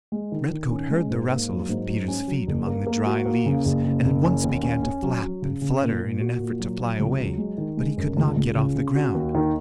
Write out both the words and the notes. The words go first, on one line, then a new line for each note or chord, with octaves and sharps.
Redcoat heard the rustle of Peter's feet among the dry leaves and at once began to flap and flutter in an effort to fly away, but he could not get off the ground.
G#3
D#3
D#3
C#4
G#3
G#2
A#3
F#3
G#2
F#3
C#4
F#3
F#1
A#3
A#3
F#4
A#3
C#3
F#1
C#3
F#1
C#4
D#2
C#4
C#4
F#3
F#3
C#3
C#3
A#2
A#2
F#4
A#2
F#3
F#3
C#2
F#3
G#3
D#3
G#3
F#2
C#2
C#2
C#3
C#3
F#4
D#2
D#3